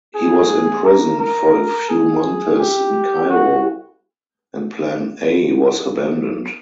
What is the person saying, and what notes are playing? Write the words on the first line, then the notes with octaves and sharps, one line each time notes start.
He was imprisoned for a few months in Cairo and Plan A was abandoned.
G#4
A#4
A#4
G#4
G4
F#4